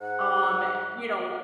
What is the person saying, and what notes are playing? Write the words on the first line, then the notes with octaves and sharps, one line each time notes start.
um, you know,
G#2 F#5